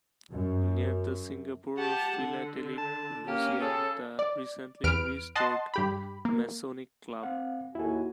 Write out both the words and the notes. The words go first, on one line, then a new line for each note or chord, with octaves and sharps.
Near the Singapore Philatelic Museum, the recently restored Masonic Club.
F#2
G4 F#5 A5
D3
A5
A#3 C#4 G4 F6
C#3 G#4 A4
D5
E2 B4 F6 D7
D#5 F#5 A5 C6
G2 G4 B5
A#3
C4 F5 F#5
D#2 E4 F#4 A4 G#5